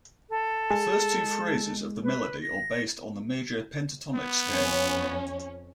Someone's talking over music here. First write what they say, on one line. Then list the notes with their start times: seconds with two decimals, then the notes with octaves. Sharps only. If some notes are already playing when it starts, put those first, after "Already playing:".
The first two phrases of the melody are based on the major pentatonic scale.
0.30 A4
0.70 G#3
2.04 B4
2.41 A#6
4.15 B3
4.48 F2 C#4